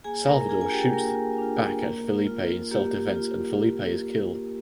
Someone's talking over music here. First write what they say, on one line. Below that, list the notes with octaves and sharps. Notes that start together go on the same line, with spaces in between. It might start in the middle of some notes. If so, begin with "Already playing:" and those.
Salvador shoots back at Felipe in self defense and Felipe is killed.
A#3 G#4 G#5
A#4 A#5
D4 F4 G#4 G#5
G#5
G4 G5
A#3 A#4
D4 F4
A#3
F4
A#3 G4
F4